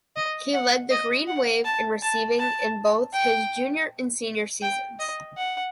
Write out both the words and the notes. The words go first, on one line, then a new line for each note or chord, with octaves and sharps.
He led the Green Wave in receiving in both his junior and senior seasons.
D#5
F#5
D#5
F#5
A5
A5
A5
G5
G5
D#5
F#5